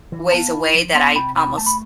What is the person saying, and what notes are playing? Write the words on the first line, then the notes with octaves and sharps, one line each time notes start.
ways away that I almost
E3
B3 F5 A5
E4
F3
B3 A5 C6
C3 G5 B5
C3 G5 B5
A3 A5
B5